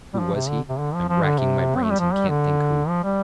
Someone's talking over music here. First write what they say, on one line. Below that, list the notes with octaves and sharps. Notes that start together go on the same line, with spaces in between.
Who was he? I'm racking my brains and can't think who.
G3
F3
C3
D3
C3
D3
F3
F3
D3
C3
C4
A3
G3
F3
G3
D3
F3
G3